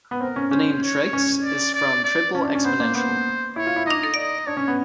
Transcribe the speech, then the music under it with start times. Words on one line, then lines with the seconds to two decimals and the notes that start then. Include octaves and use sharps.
The name Trix is from triple exponential.
0.11 B3
0.21 C4 A#4
0.36 C#4
0.51 C#4 C5
0.83 C#5
1.13 C#4
1.43 D5
1.74 D5
2.04 D5
2.35 C#4
2.44 D4
2.55 C#4
2.64 B3 C5
2.80 A#3
2.95 B3 C5
3.56 E4 C#5
3.67 F4
3.76 E4
3.86 D#4 D#5
4.17 D#5
4.47 D4 C#5
4.57 C#4
4.68 B3